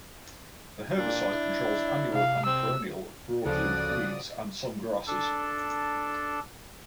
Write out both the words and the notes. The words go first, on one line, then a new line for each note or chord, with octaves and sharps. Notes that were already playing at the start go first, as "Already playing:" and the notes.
The herbicide controls annual and perennial broadleaf weeds and some grasses.
A#2 D4
E4
C3 F5
C4 E6
D2 C#3 F3 F#4 A4 D5 D#6 F#6
D4 A4